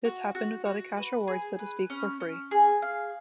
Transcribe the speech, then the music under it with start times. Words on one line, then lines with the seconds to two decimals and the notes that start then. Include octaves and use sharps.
This happened without a cash reward so to speak for free.
0.05 F#4
0.35 F#4
0.65 F#4
0.97 B4
1.28 G#4
1.59 B4
1.90 C#4
2.20 C#4
2.51 G#4
2.82 F5